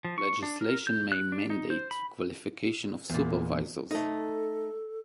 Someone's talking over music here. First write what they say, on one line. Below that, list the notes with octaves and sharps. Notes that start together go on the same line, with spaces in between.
Legislation may mandate qualifications of supervisors.
F3
C#6
D4
A#4
G6
F#6
D4
D#4
C5
B5
E2 A#2
A3 D#4 A4